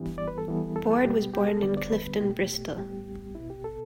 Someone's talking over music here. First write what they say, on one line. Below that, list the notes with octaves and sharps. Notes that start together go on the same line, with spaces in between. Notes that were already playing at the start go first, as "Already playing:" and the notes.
Board was born in Clifton, Bristol.
Already playing: G2 E3 G3 B3
D5
B4
A4
E2 E3 G3 B3
A4
A4
B2 G3 B3 G4
G4
A4
E2 D3 G3 B3 D5
D5
B4
E4
B2 A3 G4
A2 G3 B3 G4
B2 B3 E4
G4
A4